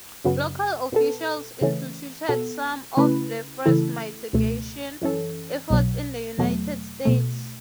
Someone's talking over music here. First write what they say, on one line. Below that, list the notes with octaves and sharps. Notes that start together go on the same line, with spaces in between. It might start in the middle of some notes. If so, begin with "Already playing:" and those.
Local officials instituted some of the first mitigation efforts in the United States.
F#2 C#3 F#3 B3
B2 B3 A4
C#3 E3 A3 C#4
B2 B3 A4
C#3 A3 C#4 E4 B4
C#3 E3 A3 E4 A4
C#2 B2 A3
F#2 E3 C#4 A4
B1 B2 F#3
E2 B2 F#3 A3
B1 B2 A3